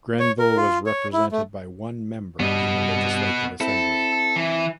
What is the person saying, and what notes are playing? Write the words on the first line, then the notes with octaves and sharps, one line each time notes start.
Grenville was represented by one member in the Legislative Assembly.
C#5
A#4
F4
C#5
E4
A3
G2 G3 B3 D#5
C4 E4 A4
E3